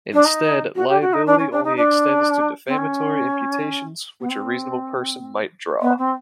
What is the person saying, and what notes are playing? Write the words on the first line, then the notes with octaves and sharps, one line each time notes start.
Instead, liability only extends to defamatory imputations which a reasonable person might draw.
D4
D#4
F#4
G4
F#4
D#4
D4
C#4
D4
D#4
D4
C4
C#4
B3
C4
B3
C4